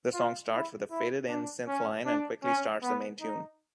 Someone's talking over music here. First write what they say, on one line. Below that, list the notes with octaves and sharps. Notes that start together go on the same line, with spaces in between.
The song starts with a faded-in synth line and quickly starts the main tune.
F4
E4
E4
D4
C#4
D4
C#4
B3
D#4